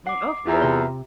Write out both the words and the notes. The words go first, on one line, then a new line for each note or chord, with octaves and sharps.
Right, of course.
F#5 D6 C7
E2 F4 E5 A#5
C3 C6